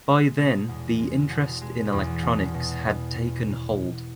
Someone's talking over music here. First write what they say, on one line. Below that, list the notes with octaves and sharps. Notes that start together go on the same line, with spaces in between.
By then the interest in electronics had taken hold.
G#3
B2
E2
G#3
B2
G#3
E2
B2
B2